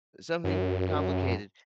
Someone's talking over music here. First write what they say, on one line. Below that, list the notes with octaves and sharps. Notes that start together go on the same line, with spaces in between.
something complicated,
F#2